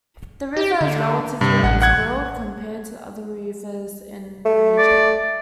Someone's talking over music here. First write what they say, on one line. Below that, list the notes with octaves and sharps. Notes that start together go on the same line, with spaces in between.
The river is relatively unspoiled compared to other rivers in the region.
G4
D3
G2 C3
A1 F#5
F#5 F#6 G#6
A3
D5